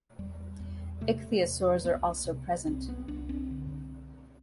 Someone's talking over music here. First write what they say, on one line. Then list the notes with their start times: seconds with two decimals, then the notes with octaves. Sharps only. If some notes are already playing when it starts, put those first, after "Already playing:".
Ichthyosaurs are also present.
0.19 E2 G3
0.60 E2
1.01 C3 A3
1.43 E2
1.84 C2 B3
2.25 C3
2.67 C2 C4
2.89 B3
3.08 C2 D4
3.29 C4
3.51 D3